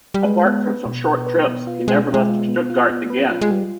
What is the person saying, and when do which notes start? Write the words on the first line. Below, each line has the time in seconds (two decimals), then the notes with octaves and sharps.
Apart from some short trips he never left Stuttgart again.
0.14 G3
0.25 G#3 B4
0.45 B3
0.66 B4
0.86 B2
1.07 B2
1.27 B4
1.47 B3
1.67 F4
1.88 B2 G#3
2.09 G#3 F4
2.29 F4
2.49 B3
2.70 F4
2.90 B3
3.10 B4
3.30 F4
3.41 G#3
3.51 G3 F4